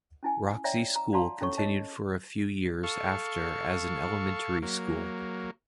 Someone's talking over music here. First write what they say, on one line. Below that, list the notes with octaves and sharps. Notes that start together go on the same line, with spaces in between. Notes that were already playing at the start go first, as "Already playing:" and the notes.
Roxie School continued for a few years after as an elementary school.
C#4 E4 G#5
C#5 D5 E5 G5 A#5
A#5
D5 F5 F#5 A5 A#5 C6
C#4 A4 C#5 C#6
C#5 D#5 A5
A4 F5 C#6
F#3 A#3